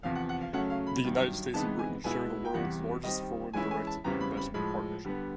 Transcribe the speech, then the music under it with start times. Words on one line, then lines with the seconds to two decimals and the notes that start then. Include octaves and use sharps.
The United States and Britain share the world's largest foreign direct investment partnership.
0.03 E2 C3 F3 F5
0.15 F#5
0.29 F#5
0.41 F5
0.53 C#3 F#3 A3 C#4 F#5
0.70 F5
0.87 B5
1.04 G2 D#3 F#3
1.54 C3 E3 G#3 B3 D#4 A5
1.79 G#5
2.04 B2 G#3 B3 E4 G#5
2.45 G5
2.54 E2 C3 E3 G3 F#5
3.03 D#3 G3 C4 D#5
3.53 E3 G#3 C#4 E4 G#5
3.71 G#5
3.87 A5
4.04 E2 C#3 E3 G3 C4 A#5
4.21 B5
4.37 B5
4.54 A2 F3 G#3 B5
5.05 D3 G3 B3